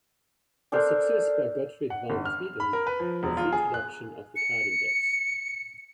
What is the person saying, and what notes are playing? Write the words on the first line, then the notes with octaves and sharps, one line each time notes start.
A success by Gottfried van Swieten was the introduction of the card index.
D4 A4 A#4 C5
F#5
G1
F6
B5
A#4
B4
F3
E1
F4
G#4
F#6
C#7